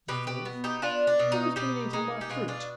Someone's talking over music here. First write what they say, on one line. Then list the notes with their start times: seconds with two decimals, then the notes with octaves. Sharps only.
The fourth, "Who has been eating my fruit?"
0.08 B2 G4 B4
0.27 G4 B4
0.45 B3
0.64 D#4 G4
0.82 B3 D4 F4
1.07 D4
1.19 B2
1.32 D#4
1.56 B2 D#4 G4
1.93 G#3 D#4
2.21 G4
2.30 B2 D4 F4
2.48 D4 F4